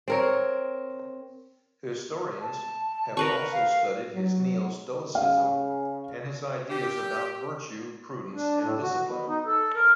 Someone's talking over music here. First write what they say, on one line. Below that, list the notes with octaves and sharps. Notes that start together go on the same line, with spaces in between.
Historians have also studied his neo-Stoicism and his ideas about virtue, prudence, and discipline.
C4 A#4 C#5
A5
A#4 B4 C#6
F5
F#3
C#3 F5
G4
D4
A2
F#4
B2
D#4
A4
A#4